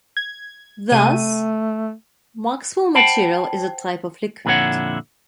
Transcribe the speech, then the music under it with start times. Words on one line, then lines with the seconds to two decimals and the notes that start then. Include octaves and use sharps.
Thus, Maxwell material is a type of liquid.
0.17 G#6
0.92 C3 A3 G5 D#7
2.95 C5 F#5 G5 A5 B5
4.45 F2 A#2 D3 E4 C#5 F#5